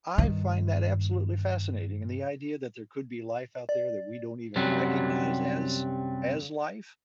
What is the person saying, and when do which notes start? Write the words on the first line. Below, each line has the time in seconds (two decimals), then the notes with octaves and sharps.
I find that absolutely fascinating, and the idea that there could be life out there that we don't even recognize as as life.
0.18 G2 D#3
3.69 D5
4.56 F#2 C3 F#3 G3